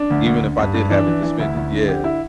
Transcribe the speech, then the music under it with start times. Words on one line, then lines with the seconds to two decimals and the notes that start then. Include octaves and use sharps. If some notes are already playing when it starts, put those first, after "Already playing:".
even if I did have it to spent it yeah.
Already playing: D4
0.10 D2
0.26 D2
0.42 D3
0.59 G2
0.74 G2
0.90 E3 D4
1.07 E3
1.22 E3
1.39 D2 E4
1.55 D2
1.72 D3
1.88 D3 G4
2.04 E4